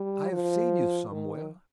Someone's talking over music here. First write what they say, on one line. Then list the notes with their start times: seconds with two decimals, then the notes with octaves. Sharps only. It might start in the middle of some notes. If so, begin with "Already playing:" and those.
"I have seen you somewhere."
Already playing: G3
0.33 F3
1.12 D#3